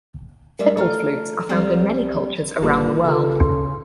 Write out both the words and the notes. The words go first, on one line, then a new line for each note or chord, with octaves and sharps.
Fipple flutes are found in many cultures around the world.
G3 G#3 A#4 D5 E5
A3 F4 A4 A#5 F6
F#3 G3 C4
F#1 A#2 F3 G3 A#3 B4
C#3 F4 A4 B4
C6